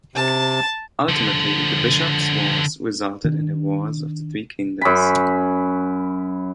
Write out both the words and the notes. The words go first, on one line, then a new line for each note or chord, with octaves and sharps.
Ultimately the Bishops' Wars resulted in the Wars of the Three Kingdoms.
C3 A5
D3 F3
D#3 D4
F#2 B5